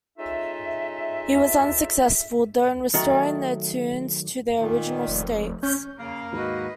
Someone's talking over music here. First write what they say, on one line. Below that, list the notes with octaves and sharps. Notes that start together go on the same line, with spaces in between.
He was unsuccessful, though, in restoring the tunes to their original states.
G#3 C#4 D#4 F4 A4 E5
D#3 F#3 A3
A#2 D#3
F1
C#4 G6
C#3 A#3 F5
D#2 G#2 F#4 B4 D#5